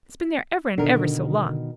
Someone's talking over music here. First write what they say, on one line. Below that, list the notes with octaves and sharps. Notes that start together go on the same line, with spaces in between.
It's been there ever and ever so long!
B2 D3 D#3 A#4